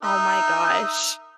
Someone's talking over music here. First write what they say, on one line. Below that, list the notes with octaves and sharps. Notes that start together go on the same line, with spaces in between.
Oh my gosh.
D#4 A#4 E5